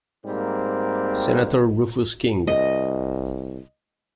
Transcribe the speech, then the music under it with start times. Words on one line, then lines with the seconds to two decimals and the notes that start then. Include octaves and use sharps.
Senator Rufus King.
0.25 G#2 G3 A#3 C4
2.47 C2 D#5